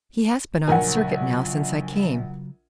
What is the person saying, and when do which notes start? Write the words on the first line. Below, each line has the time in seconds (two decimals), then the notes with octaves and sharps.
He has been on circuit now since I came.
0.68 A#1 C#3 F#3 A#4 C#5 F#5 G#5